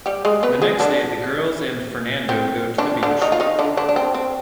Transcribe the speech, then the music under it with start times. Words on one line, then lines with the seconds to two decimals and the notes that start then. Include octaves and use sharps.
The next day, the girls and Fernando go to the beach.
0.06 G3 G4
0.25 G#3 G#4
0.43 B3 B4
0.62 G#3 G#4
0.80 D3 D4
2.29 C4
2.78 D3 D4
3.03 D3 D4
3.22 D#3 D#4
3.32 F4
3.40 D#3 D#4
3.59 D3 D4
3.77 D3 D4
3.89 D4
3.96 C4
4.14 C4